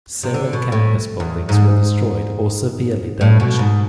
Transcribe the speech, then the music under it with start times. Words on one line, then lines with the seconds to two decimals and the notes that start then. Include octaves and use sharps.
Several campus buildings were destroyed or severely damaged.
0.23 C3
0.34 D3
0.53 B2
0.72 A2
1.20 E2
1.49 G#2
3.21 A2
3.40 B2
3.59 G#2